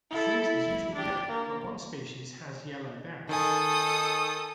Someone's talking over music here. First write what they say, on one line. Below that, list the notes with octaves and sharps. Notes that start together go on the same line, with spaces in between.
The fruit is usually red, but one species has yellow berries.
E4 A4
E4
D4 G4
A#3
D#3 A4 G#5 D#6